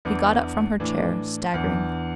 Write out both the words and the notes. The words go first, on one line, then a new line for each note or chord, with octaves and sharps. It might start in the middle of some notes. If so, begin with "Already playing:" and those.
She got up from her chair, staggering.
E2 E3 D4
A2 E3 D4
E2 E3 D4